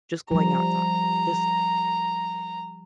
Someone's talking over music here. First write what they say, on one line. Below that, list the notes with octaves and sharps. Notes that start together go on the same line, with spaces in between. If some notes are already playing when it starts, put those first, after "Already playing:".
just going outside. Just
F3 G3 A#5